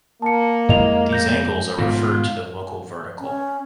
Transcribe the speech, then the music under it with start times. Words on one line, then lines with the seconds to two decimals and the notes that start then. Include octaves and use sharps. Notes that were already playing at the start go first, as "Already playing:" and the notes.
These angles are referred to the local vertical.
0.22 A#3 A5 C#7
0.69 F2 G#3 E4 D#5 F7
1.13 G6 A#6
1.78 G#2 B2 D#3 F4
3.20 C#4